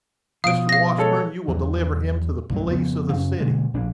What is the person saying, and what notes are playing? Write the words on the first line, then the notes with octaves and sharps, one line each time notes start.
"Mr. Washburn, you will deliver him to the police of the city."
B2 F3 F5 D#6 D7
F5 A#6
G#3 A4 C#5
E2 F#3
C2 G2 F#3
F2 C#3 G#3 B3
F#2 C#3 C#4
G2 B2 D3 G#3
A#1 A2 D4